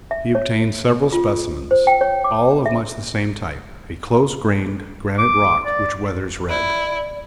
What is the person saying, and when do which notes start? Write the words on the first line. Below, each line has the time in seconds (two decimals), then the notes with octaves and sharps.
He obtained several specimens, all of much the same type, a close-grained granite rock which weathers red.
0.11 E5
0.35 C#5
1.12 F4
1.71 C5
1.87 G5
2.01 C#5
2.24 D6
2.66 E5
5.18 D6
5.66 D5
6.49 E4 D5